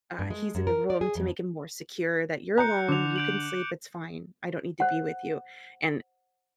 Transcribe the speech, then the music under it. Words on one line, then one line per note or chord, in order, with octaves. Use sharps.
uh, he's in the room to make him more secure that, "You're alone, you can sleep, it's fine, I don't need to be with you," and,
G2
G#3
F#2
A#4
D5
G#4
F2
A#5 F#6 G6 C#7
D3 D6 F7
G6 D7 F#7
C5 F#5